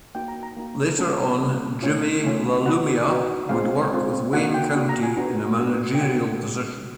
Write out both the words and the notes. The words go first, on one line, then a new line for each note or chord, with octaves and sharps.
Later on Jimi LaLumia would work with Wayne County in a managerial position.
A#3 D#4 F#4 G5
A#5
A#5
A#3 D#4 F#4
G3 A#3 C#4 A5
G3 A#3 C#4
A3 C#4 F4
A3 C#4 F4
B3 D#4 F#4 F#5
B3 D#4 F#4
G#3 C4 F4 F5
G#3 C4 F4
A#3 D4 F#4 F#5
G5
A#3 D4 F#4
A#5
G#5
B3 D4 F#4
B3 D4 F#4
G5
G#3 C#4 F#4 F#5
G#3 C#4 F#4